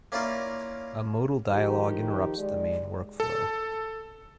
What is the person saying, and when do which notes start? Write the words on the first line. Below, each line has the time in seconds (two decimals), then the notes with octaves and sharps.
A modal dialog interrupts the main workflow.
0.12 A#3 C#4 E4 F4 A#4 D5
1.50 D#3 F3 G4
2.38 G#3 D5
3.20 A4